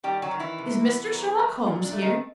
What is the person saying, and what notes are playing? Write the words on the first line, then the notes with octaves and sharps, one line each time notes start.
"Is Mr. Sherlock Holmes here?"
D#3 G3 G4
F#3 F#4
D#3
E3 E4
C3
B3
F#3
A3
A#2
D4
A3
D#3 D#4